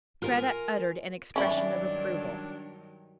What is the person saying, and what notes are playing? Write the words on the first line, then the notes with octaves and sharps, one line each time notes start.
Kreta uttered an expression of approval.
F4 A#4 G#5
G2 D#3 F#3 C#4 D4 E4